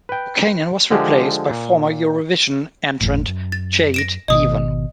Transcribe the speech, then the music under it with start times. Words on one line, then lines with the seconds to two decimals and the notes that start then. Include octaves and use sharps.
Buchanan was replaced by former-Eurovision entrant Jade Ewen.
0.09 B4 G5
0.91 D3 F3 G#3 G4
1.50 A#2
3.01 G1 E2 A2
3.27 F#2
3.52 A6
3.94 A#6 D7 E7
4.28 G#1 B2 D#3 D#5 D#6